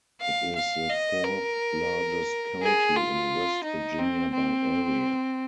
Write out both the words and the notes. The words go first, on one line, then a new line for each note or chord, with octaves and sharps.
It is the fourth-largest county in West Virginia by area.
F5
F5
D#5
A#4
G#4
F4
D#4
C4
C4